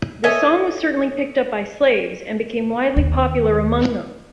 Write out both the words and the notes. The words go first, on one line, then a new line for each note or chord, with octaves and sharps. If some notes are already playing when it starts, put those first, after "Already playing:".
The song was certainly picked up by slaves and became widely popular among them.
A4 C#5 D#5 E5 G#5
D#2